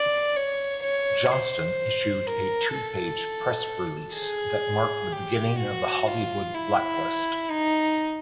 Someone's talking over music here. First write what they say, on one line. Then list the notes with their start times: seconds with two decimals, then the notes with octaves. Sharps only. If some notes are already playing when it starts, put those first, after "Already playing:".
Johnston issued a two-page press release that marked the beginning of the Hollywood blacklist.
Already playing: D5
0.36 C#5
0.84 C#5
1.32 C5
2.27 A#4
2.74 A4
4.16 G#4
5.13 G4
5.60 F#4
6.08 F4
6.55 E4
7.50 D#4